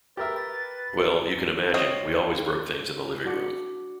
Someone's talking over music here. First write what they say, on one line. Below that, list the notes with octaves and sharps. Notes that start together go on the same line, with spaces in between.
Well, you can imagine, we always broke things in the living room.
G4 A#4 B4 E5 A6
C4 C#5 D#5
D4 F#4 D6 C#7